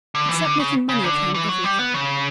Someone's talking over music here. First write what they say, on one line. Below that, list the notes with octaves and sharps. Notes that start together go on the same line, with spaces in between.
"Except making money of him--everything?"
D3
E3
D3
C#3
C#3
D3
E3
F#3
G3
B3
C#3